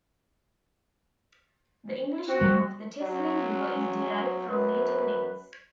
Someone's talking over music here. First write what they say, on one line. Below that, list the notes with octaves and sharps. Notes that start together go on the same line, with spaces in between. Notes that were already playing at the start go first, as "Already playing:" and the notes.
The English name of the Teslin River is derived from native names.
C4 F#4
G3
F#3 C#4
F#2 B4